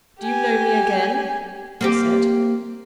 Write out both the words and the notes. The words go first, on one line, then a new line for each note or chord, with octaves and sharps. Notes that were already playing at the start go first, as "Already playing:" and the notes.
"Do you know me again?" he said.
G4 G#5
A#3 C4 G4